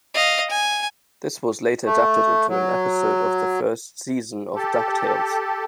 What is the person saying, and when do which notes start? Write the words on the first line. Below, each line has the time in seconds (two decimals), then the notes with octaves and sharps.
This was later adapted into an episode of the first season of "DuckTales".
0.14 D#5 F5
0.50 G#5
1.85 A3
2.49 F#3
4.56 G4 A4